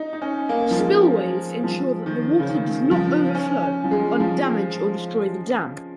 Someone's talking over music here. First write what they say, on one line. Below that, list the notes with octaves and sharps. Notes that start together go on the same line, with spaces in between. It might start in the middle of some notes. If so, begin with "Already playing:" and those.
Spillways ensure that the water does not overflow and damage or destroy the dam.
Already playing: D#4
D#4
C#4
A#3
F3
G#3
F3
D#3
C#3
D#3
F3
C#4
C#4
F3
G#3
F3